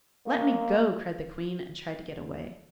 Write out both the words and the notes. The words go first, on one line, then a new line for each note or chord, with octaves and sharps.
"Let me go!" cried the Queen, and tried to get away.
A#3